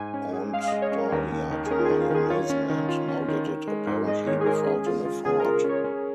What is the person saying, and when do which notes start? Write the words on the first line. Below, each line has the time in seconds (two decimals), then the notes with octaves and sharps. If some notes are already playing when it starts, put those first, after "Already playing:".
Aunt Dahlia, to my amazement, now did it apparently without an effort.
Already playing: G#2 G#5
0.14 C#4
0.33 G#4
0.53 G#3 F5
0.68 G#3 D#5
0.82 C#5
0.92 C#4
0.97 A#4
1.12 D#2 A#4
1.32 D#2
1.51 D#3
1.66 G#4
1.71 C#4 A#4
1.79 F4
1.85 G#4
1.90 D#3
2.01 F4
2.10 D#3 G#4
2.30 F4 C#5
2.50 C#4
2.70 D#3
2.89 F4
3.08 C#4
3.28 D#3
3.47 D#3
3.67 G#3
3.87 G#2
4.07 G#3 D#5
4.27 D#3 C#5
4.40 G#4
4.46 G#3 A#4
4.66 C#4 G#4
4.86 F4
5.05 F4
5.25 C#3 G#4
5.39 A#4
5.45 F4
5.64 C#4 C#5
5.84 C#4